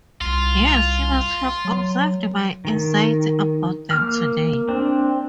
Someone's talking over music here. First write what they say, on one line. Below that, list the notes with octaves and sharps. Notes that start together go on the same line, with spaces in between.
Yes; you must have observed my anxiety about them today.
C2 F4
F#3
D#3
A#3 F6
C4 D4